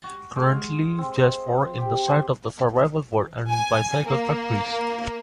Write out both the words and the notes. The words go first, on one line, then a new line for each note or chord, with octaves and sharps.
Currently Jastrowie is the site of several wood and bicycle factories.
F#4
G#3
F5
C4
C5
G4
C5
G#5
A#3